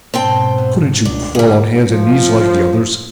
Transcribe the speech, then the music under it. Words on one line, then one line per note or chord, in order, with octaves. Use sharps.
Couldn't you crawl on hands and knees like the others?
G#2 B2 C4 C5 G5 A5
B3 E6
C#2 B3 D4
G#2 D3 G3 G#4
F3